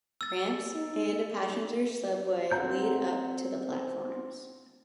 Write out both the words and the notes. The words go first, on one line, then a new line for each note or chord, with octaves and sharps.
Ramps and a passenger subway lead up to the platforms.
E6 A6
D#4
C4 F#5 A#5 G6